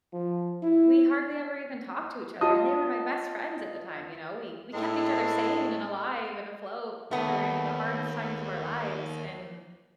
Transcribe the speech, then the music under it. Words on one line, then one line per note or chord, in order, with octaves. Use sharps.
we hardly ever even talked to each other, and they were my best friends at the time, you know? We we kept each other sane and alive and afloat during the hardest times of our lives, and
F3
E4
F4 D#5 A5 D#6
A2 G#3 E4 A5
D#2 A3 B3